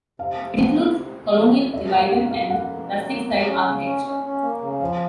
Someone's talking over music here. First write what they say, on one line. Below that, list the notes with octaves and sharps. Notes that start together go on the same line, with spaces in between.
It includes Colonial Revival and Rustic Style architecture.
C3 F5
C3
F3
D2
C3
D2
F3
D2
B2 E5
A#3 F5
B2 F#5
A#3 F5
A#3 F#5
B2
F#3
A#3
F#3
C#4
C#3
C#4
C#4
C#4
A#3
C#3
F3 F5